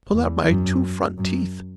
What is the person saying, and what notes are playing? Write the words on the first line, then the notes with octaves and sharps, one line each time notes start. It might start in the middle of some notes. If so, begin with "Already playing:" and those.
Pull out my two front teeth!
E2
F#2
F#2